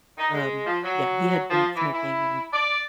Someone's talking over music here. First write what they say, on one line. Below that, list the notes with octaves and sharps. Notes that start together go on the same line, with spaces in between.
um, yeah, he had been smoking, and,
D#4
G#3
F3
F#3
F3
E3
E4
D5